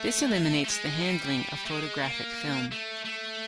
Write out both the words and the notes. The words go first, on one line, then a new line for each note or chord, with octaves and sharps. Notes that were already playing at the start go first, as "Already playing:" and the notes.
This eliminates the handling of photographic film.
Already playing: A3
A3
G#3
G3
A3
G#3
A#3
A3
A3